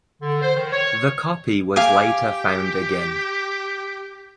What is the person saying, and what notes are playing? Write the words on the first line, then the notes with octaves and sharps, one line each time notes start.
The copy was later found again.
D3
C5
D#3
C#5
G4 F5 G#5 D6